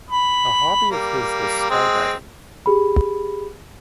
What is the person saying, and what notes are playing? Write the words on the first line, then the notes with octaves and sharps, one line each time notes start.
A hobby of his was skydiving.
B5
G3 A#3
G#3 C4
G4 G#4 B5